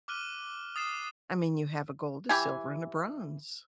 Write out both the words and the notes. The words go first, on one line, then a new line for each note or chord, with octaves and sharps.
I mean, you have a gold, a silver, and a bronze.
D6 F6 F#6 D#7 G7
D#6 A6 C7 E7
E3 G4 G#5